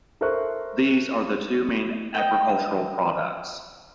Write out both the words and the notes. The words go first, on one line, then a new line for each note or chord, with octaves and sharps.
These are the two main agricultural products.
A4 A#4 C5 E5 C#6 F#6
D#5 G5